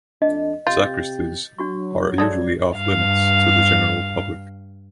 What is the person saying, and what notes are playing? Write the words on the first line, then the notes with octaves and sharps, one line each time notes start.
Sacristies are usually off limits to the general public.
F2 A3 D4 D#5
C3 F4 G4 G6 A6
F#3 D4 F#4 C#6
G#3 A3 A4 D5 G#6
G2 F5